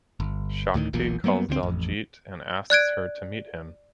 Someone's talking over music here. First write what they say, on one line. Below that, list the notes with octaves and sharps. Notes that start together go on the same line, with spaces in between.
Shakti calls Daljeet and asks her to meet him.
G1
D2 A2 D3 D#3
E1 B1 E2 A#2
F#3 G3 A#3 B3
D2 D3 E3 C4
A1 F2
D5 F#6 G#6 D7